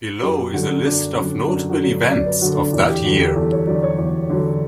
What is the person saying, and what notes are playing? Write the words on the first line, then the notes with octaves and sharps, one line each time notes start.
Below is a list of notable events of that year.
F#2 G4
D3 F#3 F#4
F#2 D4
D3 F#3 C#4
F#2 D4
F#4
D3 F#3
F#2 D5
B4
D3 F#3 F#4
D4
E2
G4
D3 F#3 F#4
G4
E2 A4
C#5
D3 F#3 D5
C#5
E2
D3 F#3